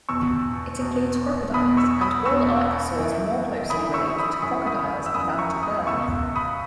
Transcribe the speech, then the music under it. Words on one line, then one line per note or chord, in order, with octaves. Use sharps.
It includes crocodiles and all archosaurs more closely related to crocodiles than to birds.
E2 B2 C#6 E6
E2 B2
E2 B2 B5 D#6
C#6 E6
B5 D#6
E2 B2 C#6 E6
F#2 E3
F#2 E3 B5 D#6
C#6 E6
B5 D#6
F#2 E3 B5 D#6
B5 D#6
E6
F#2 E3 B5 D#6
A#5 C#6
B5 D#6
C#2 B2 C#6 E6
B5 D#6